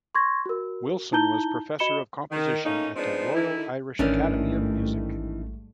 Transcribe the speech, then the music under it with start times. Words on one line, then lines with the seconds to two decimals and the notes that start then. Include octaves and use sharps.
Wilson was professor of composition at the Royal Irish Academy of Music.
0.15 C6 C#6 G#6 A#6
0.46 F#4 A#4
1.13 D#4 E4 A5 A#5 G6 G7
1.79 F#4 D#5 B5 C#7 E7 G7
2.31 D#3
2.65 A3 A#3 C#4 D#4
2.96 F3 G#3 B3 C4 D4 D#4
3.35 D3 D#3 D#4 E4
3.99 A1 G#2 D#3 E3 G3 A3 C#4 D4